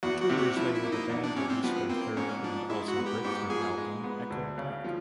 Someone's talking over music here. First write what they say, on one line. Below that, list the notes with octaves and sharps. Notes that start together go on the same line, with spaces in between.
Two years later, the band released their third and also breakthrough album, "Echo Park".
E2 F#4
F#4
C3
F#4
F3 E4
E4
A#3
D#4
E2
D4
C3 C#4
C4
F3 B3
A#3 C4
G#2 C#4
F3 D4
G#3 E4
F#4
B3
G4
G#2 G4
F3 G#4
G#3
B3
D2
C#3
F3